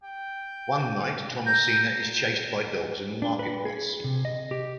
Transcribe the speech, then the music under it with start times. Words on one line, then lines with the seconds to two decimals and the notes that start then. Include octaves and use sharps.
One night Thomasina is chased by dogs in the marketplace.
0.04 G5
1.46 A#5 G6
3.22 D4
3.39 B4
3.65 G#4
4.04 C3
4.25 D#5
4.51 G4